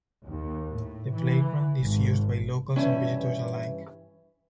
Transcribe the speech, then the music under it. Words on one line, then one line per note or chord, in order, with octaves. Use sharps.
The playground is used by locals and visitors alike.
D#2
A2
E3
G#1
G2 E3 C#4 E5